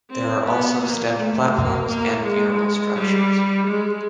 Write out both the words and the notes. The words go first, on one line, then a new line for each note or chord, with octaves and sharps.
There are also stepped platforms and funeral structures.
C4
B3
A#3
A3
A#3
A#3
G#3
G3
G#3